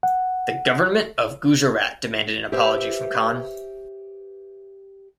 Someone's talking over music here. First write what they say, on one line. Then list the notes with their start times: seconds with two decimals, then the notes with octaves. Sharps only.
The government of Gujarat demanded an apology from Khan.
0.03 F#5
2.52 G4 B4 C5 E5